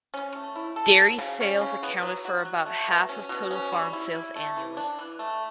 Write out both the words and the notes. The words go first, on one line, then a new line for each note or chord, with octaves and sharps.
Dairy sales accounted for about half of total farm sales annually.
C#4
A3
E4
A4
F#3
C#3
C#4
C#3
B3
F#3
F#4
F#3
A3
B2
C#4
B2
C#4
G3
E4
G3
A3
E3
D4
E3
A3